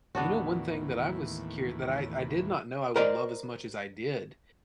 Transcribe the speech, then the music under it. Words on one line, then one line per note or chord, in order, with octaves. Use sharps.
You know one thing that I was cur that I I did not know I would love as much as I did,
D#2 A2 E3 B3 D4 F#4
A#4 C5 D5 D#5 A#5